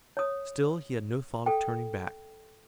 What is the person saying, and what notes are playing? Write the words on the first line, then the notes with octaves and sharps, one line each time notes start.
Still he had no thought of turning back.
C#5 D#6
A4 G5